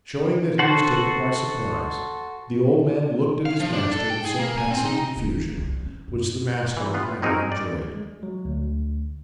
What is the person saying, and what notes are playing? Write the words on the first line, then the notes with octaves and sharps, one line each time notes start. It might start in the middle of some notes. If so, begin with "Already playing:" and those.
Showing that he was taken by surprise, the old man looked at his master with some passing confusion, which the master highly enjoyed.
F#4 A4 C5 F#5
F5
F3
D4
A4
G5
G#4
A#3
G#5
C4
D#4
D#1
C2
C#4
F#2
A#2 E3
B3 F4
A#3 C4 D#4 F#4 G#4 A#4
D5
G#3
F#3
D2